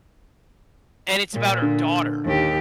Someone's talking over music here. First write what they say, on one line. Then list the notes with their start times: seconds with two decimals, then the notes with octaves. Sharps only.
and it's about her daughter.
1.33 A#2
1.62 D3
2.25 D#2 G4